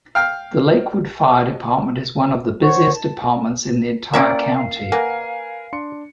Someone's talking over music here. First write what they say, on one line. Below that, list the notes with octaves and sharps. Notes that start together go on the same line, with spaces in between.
The Lakewood Fire Department is one of the busiest departments in the entire county.
F5 G5 F6
C5 C#5 F#5 C#6
A5
A#3 C#4 E4 D5 E5 G5
F5
A#3 A#4 B4 F#5 G#5
D4 C6 C#7